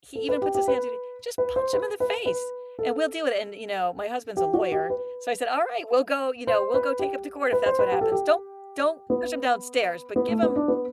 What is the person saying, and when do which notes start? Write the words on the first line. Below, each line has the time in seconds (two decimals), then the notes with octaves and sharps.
he even puts his hands on you, just punch him in the face, and we'll deal with it," and, you know, my husband's a lawyer, so I said, "Alright, we'll go you know, we'll go take him to court, if that's what happens. Don't don't push him downstairs but give him
0.15 A4
0.29 B4
0.42 G4
0.55 G4
0.68 B4
1.38 B4
1.56 C5
1.73 B4
2.00 B4
2.26 B4
2.79 A4
4.37 G4
4.54 F#4
4.72 G4
4.90 B4
6.47 C5
6.74 B4
6.99 G4
7.53 B4
7.66 C5
7.79 B4
7.92 G4
8.01 A4
8.12 G4
9.10 B3
10.16 B3
10.29 A3
10.43 B3
10.56 D4
10.68 B3